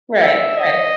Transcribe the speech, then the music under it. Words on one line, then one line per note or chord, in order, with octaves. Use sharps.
Right, right.
E5
D#5